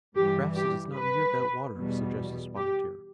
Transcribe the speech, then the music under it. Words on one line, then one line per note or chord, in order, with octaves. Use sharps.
"Perhaps it is not near that water," suggested Spotted Deer.
G2 E3 G3 G4
G4
B4
E2 B2 G3
G4